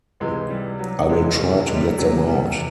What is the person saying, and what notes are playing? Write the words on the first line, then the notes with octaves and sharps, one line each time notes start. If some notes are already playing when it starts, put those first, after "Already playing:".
I will try to get them out.
C#2 C3 E3 G#3
G3
F#3
C#2 C3 E3 G#3
G3
G#3
G3
F#3
G3
C#2 C3 E3 F#3
G3